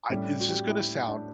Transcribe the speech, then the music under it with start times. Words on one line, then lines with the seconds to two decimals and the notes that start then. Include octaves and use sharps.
I this is gonna sound,
0.10 A2 G3 C#4
0.40 F#4
0.49 G4
0.68 E4
1.08 D4